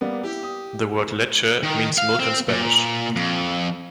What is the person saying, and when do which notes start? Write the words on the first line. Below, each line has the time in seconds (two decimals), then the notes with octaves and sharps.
The word "Leche" means Milk in Spanish.
0.01 G3 A#3 B3
0.23 E4 G4
0.43 D#6
1.63 D#3
1.98 F5
2.19 C4
2.48 A#2
3.16 F2